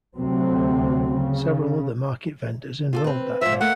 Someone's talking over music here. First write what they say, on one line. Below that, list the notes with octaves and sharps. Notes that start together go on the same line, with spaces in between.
Several other Market vendors enrolled that day.
D2 C3 F#3 C4
C#3
F4 F#4 A4
C4 B4
G#2 F3 E5
A3 A#3 F#5